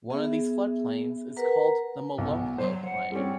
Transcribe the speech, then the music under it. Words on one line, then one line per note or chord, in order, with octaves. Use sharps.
One of these floodplains is called the Molonglo Plain.
B3 G#4 E5
A#4 B4 F#5 A#5
B1 B3
F#3 C5 C6
F#5
G3 C4 C#4